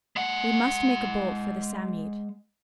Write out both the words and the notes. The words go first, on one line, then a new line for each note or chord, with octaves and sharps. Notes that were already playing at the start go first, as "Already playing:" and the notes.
We must make a bolt for the Psammead.
G#3 F#5